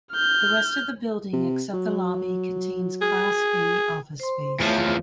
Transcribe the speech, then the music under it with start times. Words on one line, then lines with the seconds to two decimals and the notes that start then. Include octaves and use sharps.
The rest of the building, except the lobby, contains class-A office space.
0.11 F6 G6
1.33 C3
1.73 F#3
3.02 G#4
4.20 C5 C6
4.60 E2 F3 A3 C#5 E5